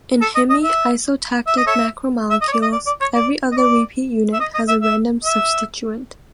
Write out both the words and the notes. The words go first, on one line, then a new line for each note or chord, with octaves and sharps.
In hemi isotactic macromolecules every other repeat unit has a random substituent.
A4
D#5
D#5
E5
E5
D#5
A4 C#5 E5
E5
D#5
C#5
D5
D#5
D5
D5
C#5
D5
D#5
D5
E5
D#5
D#5
E5
E5
E5